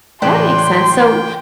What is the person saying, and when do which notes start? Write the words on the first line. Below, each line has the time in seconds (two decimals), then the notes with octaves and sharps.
That makes sense, so
0.22 A2 C#3 E3 D4 B4 G5 C6